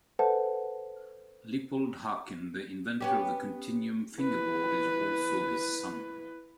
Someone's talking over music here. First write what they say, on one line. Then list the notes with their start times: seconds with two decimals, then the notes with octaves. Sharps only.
Lippold Haken, the inventor of the Continuum fingerboard, is also his son.
0.19 A4 B4 C5 E5 F#5 A5
3.00 B3 C#4 G4
4.17 E4 B4